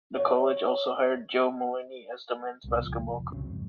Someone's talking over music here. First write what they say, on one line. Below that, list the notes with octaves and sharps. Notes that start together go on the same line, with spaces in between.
The college also hired Joe Mullaney as the men's basketball coach.
C#5
C2 B2
C#2 F3
F1
C#2 C#3 F#3 C4
F2 G#2